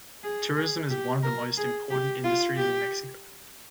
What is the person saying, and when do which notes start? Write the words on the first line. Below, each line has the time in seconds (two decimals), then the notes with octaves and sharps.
Tourism is one of the most important industries in Mexico.
0.23 G#4
0.56 G#4
0.90 G4
1.23 A#4
1.57 G#4
1.90 G4
2.24 F4
2.57 G4